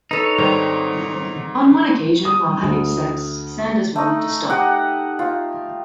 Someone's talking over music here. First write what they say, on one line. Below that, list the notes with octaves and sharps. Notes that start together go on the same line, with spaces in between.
On one occasion, while having sex, Sanders wanted to stop.
D#4 A4 B4 C#5
G#2 D#3 G3 C4
D#6
D2
A3 D#4
G4 D#5 F#5
F4